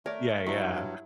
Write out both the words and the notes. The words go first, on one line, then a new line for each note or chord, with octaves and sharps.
Yeah, yeah,
A3 A#4 C#5 D5
G2 D#3 F#3 D4 E4